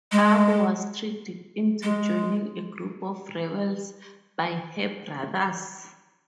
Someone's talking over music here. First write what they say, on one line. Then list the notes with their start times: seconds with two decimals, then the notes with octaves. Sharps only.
Abo was tricked into joining a group of rebels by her brothers.
0.12 G#3
1.83 G#3